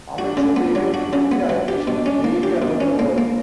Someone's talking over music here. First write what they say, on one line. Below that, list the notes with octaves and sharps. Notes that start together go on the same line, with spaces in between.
Amateur radio frequency allocations vary around the world.
D4 F#4
C#3
B3
F#3
F#4
C#3
B3
F#3
D4 G4
B2
C#4
A#3
G4
B2
C#4
A#3
A#3